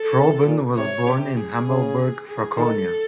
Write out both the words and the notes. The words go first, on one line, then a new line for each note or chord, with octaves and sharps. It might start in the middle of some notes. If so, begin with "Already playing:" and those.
Froben was born in Hammelburg, Franconia.
Already playing: A4
C3
A#2
C3 C#5
C3 G4
G#4
C#3
G#4
D#3 A4